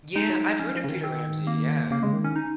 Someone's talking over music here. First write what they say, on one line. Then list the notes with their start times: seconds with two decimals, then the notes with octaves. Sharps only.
Yeah, I've heard of Peter Ramsey, yeah.
0.15 G#3 D#4
0.30 F#3
0.45 G#3
0.59 F3 C#4
0.75 F3
0.84 C#3
0.89 D#3
1.04 C4
1.47 A#3
1.91 C#3 A#3
2.03 C#3 G#3
2.13 D#3
2.24 C#4
2.36 D#4